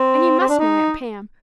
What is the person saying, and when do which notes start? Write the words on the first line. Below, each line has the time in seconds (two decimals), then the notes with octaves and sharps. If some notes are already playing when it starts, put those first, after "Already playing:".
And you must know Aunt Pam.
Already playing: C4
0.40 C4
0.49 D4
0.59 D#4